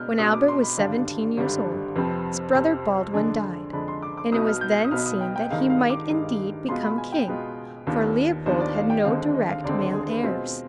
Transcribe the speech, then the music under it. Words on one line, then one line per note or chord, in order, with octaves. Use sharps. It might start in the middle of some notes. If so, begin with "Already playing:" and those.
When Albert was seventeen years old, his brother Baldwin died, and it was then seen that he might indeed become King, for Leopold had no direct male heirs.
Already playing: B2 G#3 B3 D4 F6 G6
B2 G#3 B3 D4 D#6
D6
C6
B5
G#1 G2 D3 G3 D4 F5
G#1 G2 D3 G3 D4
F2 C3 F3 C4 B4
F2 C3 F3 C4
F2 D3 G#3 D4 G#5
F2 D3 G#3 D4 B5
C6
D6
D6
B1 B2 B3 D#4 D#6
F6
G6
D#6
B1 B2 B3 D#4 F6
D#6
G5
G5
G2 D#3 G#3 F5
F5
D6
G2 D#3 G#3
B2 G#3 B3 F4 C6
B5
G#5
G5
B2 G#3 B3 F4
D#2 D#3 B3 D4 F4
D#2 D#3 B3 D4 F4 C5
D5
F5
G5
D#2 D3 G#3 C4 F5
D#5
F5
D#2 D3 G#3 C4 D5
C5
G#4
B4
B2 G#3 C4 F4